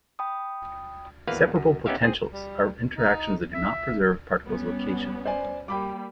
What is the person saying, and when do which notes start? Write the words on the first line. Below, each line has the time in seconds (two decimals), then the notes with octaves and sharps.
Separable potentials are interactions that do not preserve a particle's location.
0.19 G5 B5 D#6
1.27 G#1 E2 A#3 B4 F5
1.56 F#2
1.86 B3 C#4 D#4 G4 E5 F5
2.02 C4 G#4
2.33 G3
2.96 D#4
3.54 E5
4.45 G3 B3 C#4
5.25 C5 D5 G#5
5.68 G3 A#3 G5 B5 D6